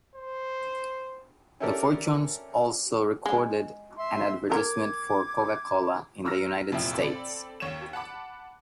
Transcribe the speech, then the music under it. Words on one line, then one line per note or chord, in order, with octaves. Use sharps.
The Fortunes also recorded an advertisement for Coca-Cola in the United States.
C5
C#4 E4 G4 A4 A#4 D5
G#3
E5 C6
A#4 D6 G#6
A#5 E6 F6 A#6
F1 A#2 F3 E4 E5 G5
C4 A4 D5 B5
D#2 C#5 C#6 E7
F#5 A5 B5 D6